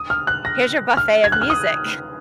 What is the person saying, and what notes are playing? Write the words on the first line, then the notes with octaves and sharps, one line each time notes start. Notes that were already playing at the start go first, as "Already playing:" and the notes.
here's your buffet of music.
Already playing: D#6
F6
F#6
A#6
F6
G#6
F#6
F6
D#6